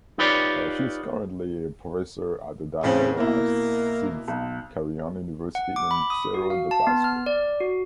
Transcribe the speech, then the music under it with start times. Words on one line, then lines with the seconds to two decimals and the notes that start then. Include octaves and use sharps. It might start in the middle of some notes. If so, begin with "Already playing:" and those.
She is currently a professor at the Daniel Alcides Carrión University in Cerro de Pasco.
0.18 D#4 F4 G4 B4 C#5 D5
2.83 A2 C#3 C4
3.17 B2 A#3 E4
4.28 B1
5.55 F#5
5.76 D6
5.91 B5
6.10 D#6
6.34 F#4
6.50 F5
6.71 A5
6.87 B3
7.04 F6
7.26 D5
7.61 F#4